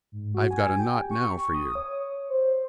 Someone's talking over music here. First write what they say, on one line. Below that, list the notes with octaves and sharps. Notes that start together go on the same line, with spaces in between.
"I've got a knot now for you."
G#2
F#4
G#5
G5
G4
C#6
D#6
C#5
C5